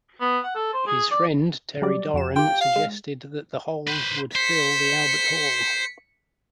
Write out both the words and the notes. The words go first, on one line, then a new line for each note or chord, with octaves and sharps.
His friend Terry Doran suggested that the holes would "fill" the Albert Hall.
B3
F#5
A4
C5
G#4
D5
F#3 G3 D5
F2 F#4 E7
F4 G4 G5
F5
G#3
B4 C5
C5 B6 C#7